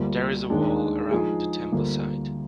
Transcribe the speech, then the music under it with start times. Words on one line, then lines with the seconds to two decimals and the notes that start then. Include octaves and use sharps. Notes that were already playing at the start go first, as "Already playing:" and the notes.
There is a wall around the temple site.
Already playing: D2 D3 G3 A#3 F4
0.50 D#2 D#3 G#3 D4 G#4
1.11 F3 G#3 D#4 G#4
1.72 D2 D3 G3 A#3 F4